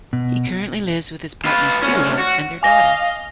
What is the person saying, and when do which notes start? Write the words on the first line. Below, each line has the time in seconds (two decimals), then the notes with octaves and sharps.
He currently lives with his partner Celia and their daughter.
0.13 B2
1.45 F4 B4
1.82 D2 C#4
2.19 F#4
2.63 D#5 F5 G#5 A#6 G7